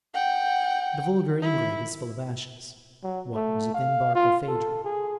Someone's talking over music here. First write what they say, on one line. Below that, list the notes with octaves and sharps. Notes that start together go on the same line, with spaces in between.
The vulgar ingrate is full of ashes; what was within Barkilphedro?
F#5 G5
E4
F#3
A3
F5
F4
A4
G#4